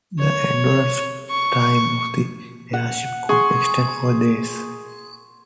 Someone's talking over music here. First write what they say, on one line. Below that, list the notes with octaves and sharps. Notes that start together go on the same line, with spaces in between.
The endurance time of the airship could extend for days.
C#5
C#6
F#5
G#4 C6 C#6